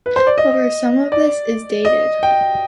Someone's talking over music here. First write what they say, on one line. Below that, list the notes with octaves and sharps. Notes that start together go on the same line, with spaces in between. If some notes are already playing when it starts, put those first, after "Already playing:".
However some of this is dated.
B4
C5
D5
D#5
D5
D#5
G5